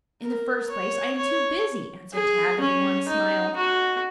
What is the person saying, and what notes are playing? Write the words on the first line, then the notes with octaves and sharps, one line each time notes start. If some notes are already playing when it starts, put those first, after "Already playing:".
"In the first place, I am too busy," answered Tad with a wan smile.
A#4
C#5
C#5
G#4
C#4
D#4
F#4